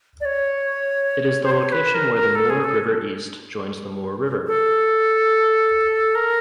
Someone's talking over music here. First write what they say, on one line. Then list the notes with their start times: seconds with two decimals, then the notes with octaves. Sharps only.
It is the location where the Moore River East joins the Moore River.
0.21 D5
0.25 C#5
1.44 C5
1.51 C#5
1.72 B4
1.94 A#4
2.15 A#4
2.35 A4
2.50 G#4
2.64 A4
4.47 A4
6.15 A#4